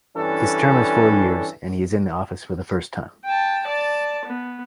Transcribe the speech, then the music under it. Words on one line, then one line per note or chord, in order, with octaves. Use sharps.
His term is four years, and he is in office for the first time.
G2 E3 C#4 D4 A4
G5 A5
D5 A5
B3